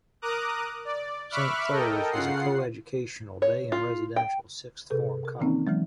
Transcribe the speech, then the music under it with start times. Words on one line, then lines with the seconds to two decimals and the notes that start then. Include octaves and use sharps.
Saint Clare's is a co-educational day and residential sixth form college.
0.22 A#4 A#5 D6 D#6 F#6
0.85 D5
1.30 E5 B5 C#6 D6 F6 F#6
1.71 A4 A#4 D#5 G5
2.11 C#3 F4 F#5 C7
3.42 C#5
3.72 F4
4.16 G5
4.90 C3 G#4 A4 B4
5.25 A#4
5.39 D#3 E3 A#3 C4 C#4 D#4
5.67 E3 F#3 G#3